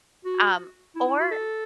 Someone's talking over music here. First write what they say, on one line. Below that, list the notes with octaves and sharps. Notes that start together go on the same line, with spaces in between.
Um, or
F#4
E4
E4
F#4
A4